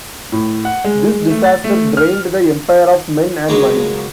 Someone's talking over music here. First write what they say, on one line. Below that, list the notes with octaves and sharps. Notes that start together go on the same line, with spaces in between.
This disaster drained the Empire of men and money.
A2
F#5
G#3
A3
A6
A3
F6
C#2 B2 F#3 G#3 A#3